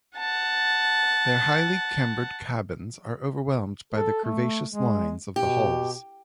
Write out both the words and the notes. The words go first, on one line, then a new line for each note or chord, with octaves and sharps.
Their highly cambered cabins are overwhelmed by the curvaceous lines of the hulls.
F#5 A5
A4
A3
G#3
B2 G4